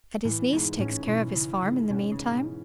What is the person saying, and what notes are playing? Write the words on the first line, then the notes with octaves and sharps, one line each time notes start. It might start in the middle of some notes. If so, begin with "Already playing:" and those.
"And his niece takes care of his farm in the meantime?"
A2 E3
G#2 B2
A2 C#4
B2 E3
C#3 E3
G#2 C#3
B2 C#4
C#3
G#2
B2
E3